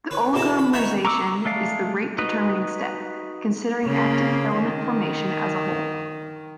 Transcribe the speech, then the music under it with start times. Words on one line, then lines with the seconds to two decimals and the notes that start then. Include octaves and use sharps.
The oligomerization is the rate-determining step, considering actin filament formation as a whole.
0.11 C#4 B4
0.33 E2 B2 E4 A4 D#5
0.58 B5
0.73 D#4 C#5 E5 F#5 G#5 B5
1.05 A#5 C#6 D6 E6
1.45 G#3 A3 D5 F5
2.18 D#4 F#4 B4 D#5
3.86 C#3 A#3
4.58 D#3